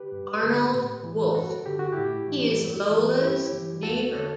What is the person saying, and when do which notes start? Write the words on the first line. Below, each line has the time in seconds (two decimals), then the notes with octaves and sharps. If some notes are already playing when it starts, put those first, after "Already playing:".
Arnold Wolf: He is Lola's neighbour.
Already playing: G4 B4
0.12 G2
0.43 D3
0.74 A2
1.04 E3
1.35 G2 F#4 A4
1.66 D3 G4
1.79 F#4
1.92 A2 E4 G4
2.28 E3
2.60 G2
2.90 E3
3.21 G2 E4 G4
3.52 E3
3.83 E2 F#4 A4
4.14 D3 A4 C#5